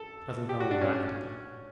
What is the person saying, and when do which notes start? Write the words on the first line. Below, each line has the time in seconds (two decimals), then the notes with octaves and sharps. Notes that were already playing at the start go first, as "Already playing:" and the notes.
Cousin Helen laughed again.
Already playing: A4
0.49 G4
0.60 F#4
0.71 D4
0.81 C#4